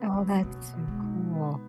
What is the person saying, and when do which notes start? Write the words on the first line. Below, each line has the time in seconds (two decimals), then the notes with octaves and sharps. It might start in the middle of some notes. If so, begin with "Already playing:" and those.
Oh, that's so cool.
Already playing: C#3 B3
0.14 F#3 G#3
0.43 B2 A#3
0.73 B2
0.88 G#3
1.03 D#4
1.32 B3